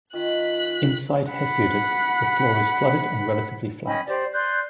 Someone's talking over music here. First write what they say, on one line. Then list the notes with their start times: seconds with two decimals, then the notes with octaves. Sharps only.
Inside Hesiodus, the floor is flooded and relatively flat.
0.13 D#3 F4 F#6 B6
1.32 F#5 B5
3.86 C#4 D#5 G5 B5
4.07 G4 C5 D5
4.33 D5 C6 F#6 G6